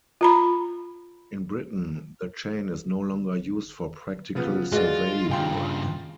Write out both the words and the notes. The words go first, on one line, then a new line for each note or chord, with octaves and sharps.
In Britain, the chain is no longer used for practical survey work.
F4 A#5 B5
C#3 F3 B3
G#3 F4 F#4 B4 D5
G2 C#3 F4 G5 C6